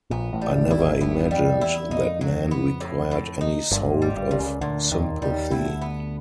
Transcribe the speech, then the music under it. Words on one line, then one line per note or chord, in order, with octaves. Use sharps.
I never imagined that men required any solt of sympathy.
A#1 A#2 B3
A1 A2
G3
A1 A2
E4
G#1 G#2
G1 G2 B3
F2 G3
E2 E4
F2 D#4
F#3
B3
A2
A2
D#4
G1 G2 A#2
G#1 G#2
G3
G1 G2
A#2
C#2 C#3
D2 A#2 D3
D#2 A#2 D#3
D#2 D#3 G3
D2 D3 E4
B3